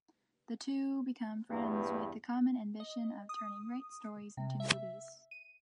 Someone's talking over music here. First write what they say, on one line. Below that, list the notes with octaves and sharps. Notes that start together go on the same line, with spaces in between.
The two become friends with the common ambition of turning great stories into movies.
E2 G2
D#5
D#6
C3
E5
D#7